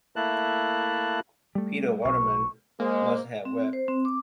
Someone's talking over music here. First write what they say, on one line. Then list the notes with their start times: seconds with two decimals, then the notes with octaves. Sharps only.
Pete Waterman must have wept.
0.16 A3 A#3 E4 A5 F#6
1.55 G3 A3
2.05 B1 C#6
2.80 G#3 A#3 C5
3.45 C4
3.73 C5
3.88 C4
4.05 D6